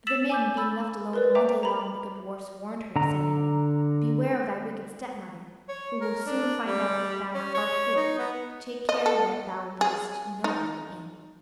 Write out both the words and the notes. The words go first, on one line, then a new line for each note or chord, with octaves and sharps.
The maiden being left alone all day long, the good dwarfs warned her, saying, "Beware of thy wicked stepmother, who will soon find out that thou art here; take care that thou lettest nobody in."
E6 A6 B6 E7 F#7
G#5 D6 G6
B5 E6 A6
A#4 B4 D5
C5 E5 G5 A#5 D6
A#5 B5
D3 A#5
C#5
A#4
D4
G3
C#4
C#5
D#4
B3
D#5
A4
G#4
D#4